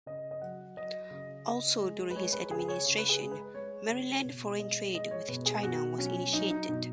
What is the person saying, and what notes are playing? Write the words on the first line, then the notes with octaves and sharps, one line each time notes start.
Also during his administration, Maryland foreign trade with China was initiated.
C#3 D#5
D#5
F#3 F#5
F#3 D#5
C#3
C#3
G#3
B4
G#3 C#5
B4
C#3 G#4
C#5
C#3
B4
G#4
G#3
B4
G#3 C#5
C#3
B2
G#3 D#5
G#3 D#5
C#5
B2 B4
G#4
B2 F#4
F#3 C#4
F#3 D#4
D#4
B2 D#4